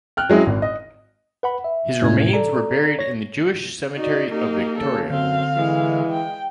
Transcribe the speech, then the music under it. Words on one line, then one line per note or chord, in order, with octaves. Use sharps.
His remains were buried in the Jewish Cemetery of Victoria.
G5 F6 F#6
F#3 G#3 C#4 E4
G#1
D#5
B4 F#5 B5
E5
F2 A2 C3 G#3 C#4 G#6
A4 D5 A#5
C#5 A#6
D#4 F#4 D5
A#3 D#4 G4
C#3 A4
F#2 D3 C4 F5
E3 G#3
G5